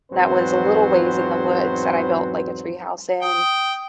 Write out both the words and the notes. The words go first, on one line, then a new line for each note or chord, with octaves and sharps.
that was a little ways in the woods that I built, like, a tree house in,
E2 G#2 F#3 C4 B4 C5
G5 D#6